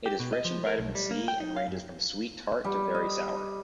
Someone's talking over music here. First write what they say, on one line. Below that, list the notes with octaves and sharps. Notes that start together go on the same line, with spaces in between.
It is rich in Vitamin C and ranges from sweet-tart to very sour.
G4
B2
D#5
F3
A#4
B1
G3
A#3
G5
D#4
F5
F#2
G3
D#5